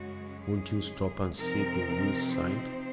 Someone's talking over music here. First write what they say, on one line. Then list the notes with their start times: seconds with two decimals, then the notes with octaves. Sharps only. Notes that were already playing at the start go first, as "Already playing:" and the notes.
"Won't you stop and see the will signed?"
Already playing: F#2 C#3 G#3 C#4 F#4
0.45 G#4
1.38 C3 F3 C4 D#4 A#4
2.32 C5